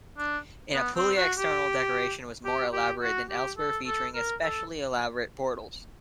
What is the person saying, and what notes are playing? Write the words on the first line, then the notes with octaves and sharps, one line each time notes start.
In Apulia external decoration was more elaborate than elsewhere featuring especially elaborate portals.
D4
B3
C4
F#4
G4
G4
G4
F#4
G4
A4
A4
A#4
A4